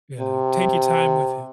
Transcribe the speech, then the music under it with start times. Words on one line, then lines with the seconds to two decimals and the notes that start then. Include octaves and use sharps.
yeah, take your time with him.
0.19 C3